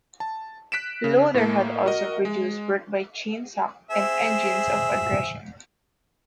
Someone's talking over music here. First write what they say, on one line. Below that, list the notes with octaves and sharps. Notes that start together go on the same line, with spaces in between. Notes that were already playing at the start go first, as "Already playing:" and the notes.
Lowder had also produced work by Chainsuck and Engines of Aggression.
A5
F#6 B6 D7 E7
C#3
A2 A#3
F#4 A#4 D#5
G#3
C4 G#4 E5